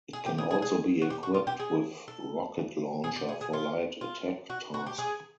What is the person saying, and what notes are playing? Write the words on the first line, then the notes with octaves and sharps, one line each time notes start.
It can also be equipped with rocket launcher for light attack task.
G#4
G4
G#4
G#4
G#4
F#4
G4
F#4
F4
G4
G#4
A4
G#4
G4
G#4
G#4
F4
F4
F#4
F#4
G4
G#4